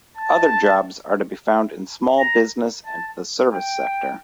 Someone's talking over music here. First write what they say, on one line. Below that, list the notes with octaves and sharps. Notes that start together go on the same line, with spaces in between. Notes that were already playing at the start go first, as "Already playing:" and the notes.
Other jobs are to be found in small business and the service sector.
A5
A#5
A5
G5